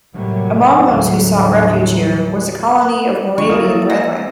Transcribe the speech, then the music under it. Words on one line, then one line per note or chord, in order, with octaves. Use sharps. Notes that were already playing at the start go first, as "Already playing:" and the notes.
Among those who sought refuge here was a colony of Moravian Brethren.
A2 C3 F#3 G3 A#3
D#2 A2 D3 F#3 G3
D3 F3 C#6
A#3 E4 A4 A#4 D#6 E7
E5 A#5